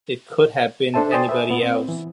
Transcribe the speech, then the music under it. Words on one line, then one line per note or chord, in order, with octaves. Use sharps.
It could have been anybody else.
D4 A4 C5 E5 A5
C5 D5 G5 G#5 D#6 A6
B4 E5
A#2 B3
C4
E3